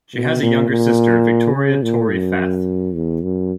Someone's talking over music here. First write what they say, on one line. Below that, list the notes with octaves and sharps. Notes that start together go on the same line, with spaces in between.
She has a younger sister, Victoria "Tori" Fath.
B2
A#2
A#2
C#3
A#2
F#2
E2
F#2